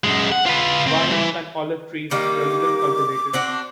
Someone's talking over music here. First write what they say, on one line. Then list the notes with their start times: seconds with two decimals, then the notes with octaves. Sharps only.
Vines and olive trees were little cultivated.
0.04 F#2 G#3
0.32 F#5
0.46 F4 B4
0.86 D2 C4
1.12 E3
2.11 D#3 G3 A#3 D6
3.33 C4 D4 F#4